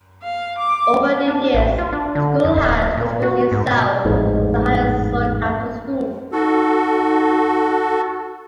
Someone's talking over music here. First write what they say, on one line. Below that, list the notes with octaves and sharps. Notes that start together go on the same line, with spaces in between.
Over the years, the school has distinguished itself as a highly sought after school.
F5
D6
D4
A1
F4
D4
D3
F2
D1
A#2
F#4
G#2
B2
A1 F2 G#2
D#4 F#4 A4